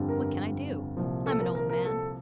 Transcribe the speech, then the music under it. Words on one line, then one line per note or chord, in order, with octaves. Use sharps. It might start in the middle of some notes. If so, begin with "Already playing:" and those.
What can I do? I'm an old man.
Already playing: G1 F2 D3 G3
A#4
C2 A#2 F3
A4
A#4
A#4
A#4
A4